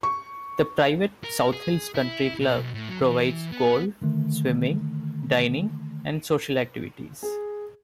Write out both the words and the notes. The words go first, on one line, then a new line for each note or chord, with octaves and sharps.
The private South Hills Country Club provides golf, swimming, dining and social activities.
C#6
A#4
G#4
E4
B2
B1
A2
F#3
E3
B3
D3 D#3 A3
G#4